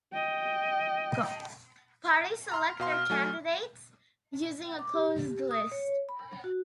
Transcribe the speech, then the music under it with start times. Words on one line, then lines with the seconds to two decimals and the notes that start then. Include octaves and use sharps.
Parties select their candidates using a closed list.
0.13 D#5 G5
2.52 A#5 C6 F6
2.80 B2 F5 C6
2.92 F6
3.10 F#3 A3 G#5
4.79 D6
4.94 G4
5.51 D#6
5.72 C#5
6.09 B5
6.44 F#4